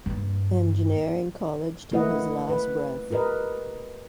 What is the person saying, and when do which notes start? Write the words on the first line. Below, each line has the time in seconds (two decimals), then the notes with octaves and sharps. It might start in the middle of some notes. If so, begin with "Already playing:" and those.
Engineering College till his last breath.
0.06 G2 A#3
1.91 A3 A#3 E4 B4 D#5 F#5
2.50 B4
3.11 F4 G4 A#4 B4 D#5